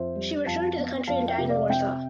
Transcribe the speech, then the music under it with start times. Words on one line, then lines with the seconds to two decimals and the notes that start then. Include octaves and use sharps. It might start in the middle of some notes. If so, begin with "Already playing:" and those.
She returned to the country and died in Warsaw.
Already playing: F2 C5 E5
0.15 G3
0.46 F2 F5 A5
0.77 B3
1.07 F2 F5 A5
1.28 E5 G5
1.38 C3
1.49 D5 F5
1.69 C4 E5 G5